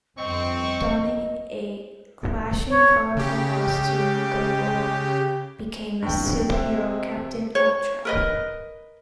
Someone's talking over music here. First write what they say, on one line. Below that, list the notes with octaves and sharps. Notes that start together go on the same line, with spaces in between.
Donning a clashing, colorful costume, Gogol became the superhero Captain Ultra.
G1 F2 C4 D#5 C#6
C#5
C#3 G4
G2 G5
C3 E5
C#5
A#4 B4 D#5